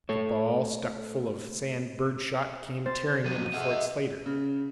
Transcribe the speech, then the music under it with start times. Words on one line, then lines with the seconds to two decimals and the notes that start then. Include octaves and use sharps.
A ball stuck full of sand-bird shot came tearing into Fort Slatter.
0.09 A3 A4 C#5
2.86 C5 A6
3.25 F2 F#3 D#7
3.53 G#3 A3 G#4 E5 F#5
4.26 C#3